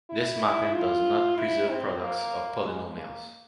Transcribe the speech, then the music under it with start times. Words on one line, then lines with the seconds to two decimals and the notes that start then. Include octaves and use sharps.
This mapping does not preserve products of polynomials.
0.10 E4
0.74 F4
1.37 E4
1.70 C4
2.02 A#3
2.65 G#3
2.97 A#3